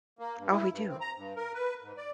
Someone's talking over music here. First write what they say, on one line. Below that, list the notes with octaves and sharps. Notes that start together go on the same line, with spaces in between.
Oh, we do,
A#3
G2
E4
G2
C4
A#5
G2
A#4
B4
G#2
D5